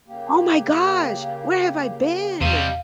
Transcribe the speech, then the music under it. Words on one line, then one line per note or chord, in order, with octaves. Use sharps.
Oh my gosh, where have I been?!
C#3 A#3 G4
E2 C3 G3 D#5 F5 D#7